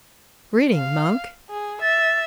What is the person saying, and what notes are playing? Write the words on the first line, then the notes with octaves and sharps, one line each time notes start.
'Greeting, monk.
F5
G#4
E5 A6